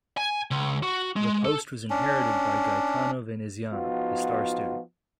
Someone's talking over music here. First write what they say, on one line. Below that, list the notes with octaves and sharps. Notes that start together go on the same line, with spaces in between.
The post was inherited by Gaetano Veneziano, his star student.
G#5
C#2
F#4
G#3
A4
C#4 D4
F3 B3 D#4 F4 F#4